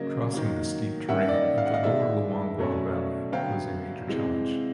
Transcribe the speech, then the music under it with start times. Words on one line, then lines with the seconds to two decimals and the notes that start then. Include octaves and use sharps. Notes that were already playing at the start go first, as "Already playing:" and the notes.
Crossing the steep terrain of the lower Luangwa valley was a major challenge.
Already playing: C#3 F#3 A#3 D#5
0.34 D#3 F#3 A#3
1.08 D#3 G3 A#3 C#4 E5 F#5
1.29 D5
1.33 D#5
1.58 F5
1.66 F#5
1.74 D#5 F5
1.83 D#3 G#3 B3 D5 E5
2.58 B2 F#3 A3 C#4
3.32 D3 F#3 B3 F5 G5
4.07 C3 E3 G#3